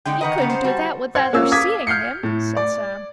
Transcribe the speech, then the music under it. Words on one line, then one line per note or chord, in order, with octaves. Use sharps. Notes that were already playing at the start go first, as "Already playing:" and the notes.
"He couldn't do that without our seeing him," said Sam.
D3 G#3 D#4 G5
D#3 B4 D#5 F#5 A#5
C#3 G3 B3
C5
G3 F#4 A5
C5 F#5 G#6
A#3 C#4 F4 E6
F5 D6 D#6 G#6 B6
F6 G6 C7 C#7
A2
D5